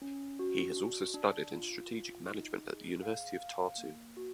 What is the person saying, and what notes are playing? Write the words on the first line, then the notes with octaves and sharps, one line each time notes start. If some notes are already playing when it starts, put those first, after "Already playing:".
He has also studied in strategic management at University of Tartu.
C#4
F#4
D4
D4
F4
F4
D#4
G#4
F5
F5
A#3
F#4